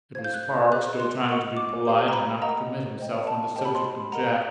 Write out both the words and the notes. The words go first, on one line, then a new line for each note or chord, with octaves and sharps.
It was Park, still trying to be polite and not commit himself on the subject of Jack.
C5 F5 G#6
G6
F#6
G6
G#4 C5 D#5 F#6
C6
A#4 D#5 F#5 C#6
D6
G4 C5 F5 D6
A#5
B5
A#4 D#5 F#5 A#5
C5 D#5 G5
A5
G4 C5 D#5 G5 A5
B5
C6
B5
A#4 D#5 F#5 A#5